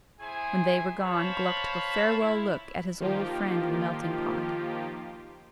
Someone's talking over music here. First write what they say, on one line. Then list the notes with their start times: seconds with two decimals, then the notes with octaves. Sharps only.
When they were gone, Gluck took a farewell look at his old friend in the melting-pot.
0.21 E4 G#4 C5 G#5
0.97 C5 C#5 F5 A5 B5
2.18 E4
3.00 D#3 F3 A#3 F4 G4